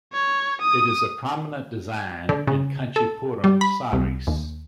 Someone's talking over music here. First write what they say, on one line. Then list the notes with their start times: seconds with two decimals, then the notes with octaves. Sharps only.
It is a prominent design in Kanchipuram saris.
0.13 C#5
0.62 D#6
2.29 D3
2.47 C#3
2.96 A4
3.44 G3
3.61 B5
3.92 C2
4.27 D#2